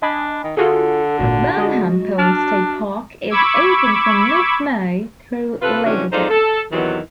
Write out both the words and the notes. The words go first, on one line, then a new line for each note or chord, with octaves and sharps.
Burnham Point State Park is open from mid-May through Labor Day.
D4 D#5 G#5 B5
D#3
D3 F4 F#4 G#4 A4
G#1 A#2 F#4
G#3 D#5
D4 A5 F6
B5 C#6 D6 E6 G#6
C3 F4 A4 B4
C3 D#3 E3 C#4 D4 F#4
D#4 F4 G#4 A4 C5 D5
A4
E2 C3 D#3 E3 F#3 B3